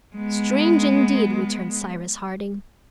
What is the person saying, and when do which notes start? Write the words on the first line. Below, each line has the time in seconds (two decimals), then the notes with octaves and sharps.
"Strange indeed!" returned Cyrus Harding.
0.16 G#3 B3